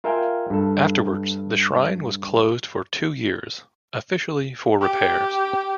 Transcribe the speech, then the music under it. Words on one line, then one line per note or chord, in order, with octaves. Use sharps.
Afterwards the shrine was closed for two years, officially for repairs.
F4 A#4 E5 F5 G5 G#5
G2 A4
G4